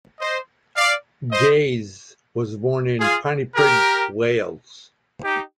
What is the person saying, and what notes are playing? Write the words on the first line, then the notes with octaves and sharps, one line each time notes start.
Gaze was born in Pontypridd, Wales.
C5 D#5
D5 F5
C5 D#5
F4 G#4
G4 A#4
D#4 G4